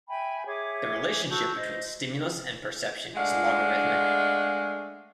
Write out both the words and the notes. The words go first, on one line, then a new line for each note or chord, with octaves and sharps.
The relationship between stimulus and perception is logarithmic.
E5 G5 G#5 B5
G#4 C#5 E5 D6
F#4 A5 E6 G6
C5 D#5
G#3 A3 D4 F5 F#5